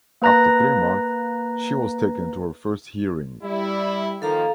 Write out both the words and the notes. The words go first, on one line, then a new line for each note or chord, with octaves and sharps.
After three months, she was taken to her first hearing.
A#3 B4 A#5 F#6 A#6
G3 E4
D#3 F3 A#3 A4 F5 A#5